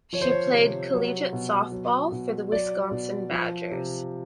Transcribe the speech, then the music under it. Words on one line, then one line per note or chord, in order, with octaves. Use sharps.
She played collegiate softball for the Wisconsin Badgers.
F3 C#5
C5
C#5
C3
F#3
B2
F#3
B2
F#3 D5
B2
F3
C3